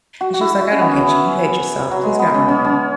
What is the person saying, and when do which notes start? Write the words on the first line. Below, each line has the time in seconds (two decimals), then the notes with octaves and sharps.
and she was like, "I don't hate you, you hate yourself, please get out my room."
0.21 F#4
0.34 F#4
0.41 E4
0.61 E4
0.71 C#4
0.81 B3
0.91 C#4
1.91 F#3
2.03 G#3
2.19 B3
2.34 C#4
2.48 C#4
2.64 C#4